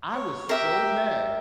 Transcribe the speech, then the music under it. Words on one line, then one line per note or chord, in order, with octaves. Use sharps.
I was so mad.
C#5
G4 A#4 E5